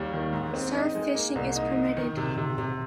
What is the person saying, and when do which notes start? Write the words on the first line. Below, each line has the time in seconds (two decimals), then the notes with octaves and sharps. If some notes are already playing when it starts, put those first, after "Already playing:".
Surf fishing is permitted.
Already playing: D#2 G3
0.13 D#3
0.33 G#2
0.54 C4
0.74 D#4
0.95 G#3
1.15 A#3
1.35 C2
1.56 D#4
1.77 D#4
1.97 D#3
2.17 C3
2.38 C3
2.58 C3